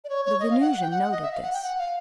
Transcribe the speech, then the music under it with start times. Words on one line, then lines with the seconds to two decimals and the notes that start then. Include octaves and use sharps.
The Venusian noted this.
0.04 D5
0.09 C#5
0.25 C#5
0.40 D#5
0.50 F5
0.61 F#5
0.72 F#5
0.81 G5
0.91 F#5
1.02 F#5
1.12 D#5
1.23 E5
1.32 F5
1.43 F#5
1.54 G5
1.63 F#5
1.78 F5